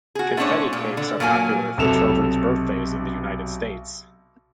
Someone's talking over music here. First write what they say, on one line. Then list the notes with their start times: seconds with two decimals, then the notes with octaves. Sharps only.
Confetti cakes are popular for children's birthdays in the United States.
0.15 F#4 G#4
0.37 A3 B3 C#4 D4 C5 C#5
0.73 A#2
0.97 D3
1.20 A#2 F#3 A#3 G#5
1.77 B1 C3 A4 E7 F7